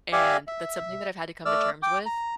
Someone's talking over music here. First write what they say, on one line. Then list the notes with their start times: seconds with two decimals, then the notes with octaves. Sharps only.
And that's something that I've had to come to terms with,
0.12 G4 D5 E5 F5 G#5
0.47 E5
1.45 A3 D5 E6 F6
1.83 G5 D6
2.06 A#5